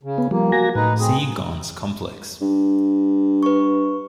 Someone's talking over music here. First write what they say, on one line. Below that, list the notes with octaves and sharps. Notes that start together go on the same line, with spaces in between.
See Ghon's complex.
C#3
B3
F3 G3 A#3
F#4 G#5 A#6
A2 D#4 B4
C4 G#4
G2
B4 C#6